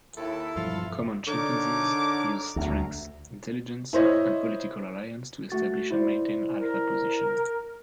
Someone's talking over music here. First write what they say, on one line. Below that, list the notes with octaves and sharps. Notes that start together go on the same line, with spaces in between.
Common chimpanzees use strength, intelligence, and political alliances to establish and maintain alpha position.
D#2 E4 A4
E1 G2 F3 F4
D3 D4 D#4 A#4 C#5 D6
D2 A#5
E4 C5 C#5 D#5
A3 F#4 A6
E4 C5 D5
A#4